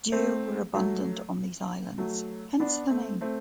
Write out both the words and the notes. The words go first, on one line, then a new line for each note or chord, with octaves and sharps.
Deer were abundant on these islands, hence the name.
A3 C4
F#3 A3
F#3 A3
B3 D4
A3 C4
A3 C4